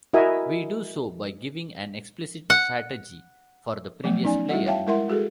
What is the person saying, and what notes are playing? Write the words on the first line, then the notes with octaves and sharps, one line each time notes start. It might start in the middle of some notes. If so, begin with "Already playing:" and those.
We do so by giving an explicit strategy for the previous player.
E4 F#4 A#4 D#5 E5 G#5
F#5
F3 F#3 A3 B3
C#4 D#4 D5 G#5
G3 E4 F#4 D#5 F#5
C#5 E5 F5 G5 A5
G#3 E4 A#4 E5 F#5 C6
G#3 F#4 G#4 A4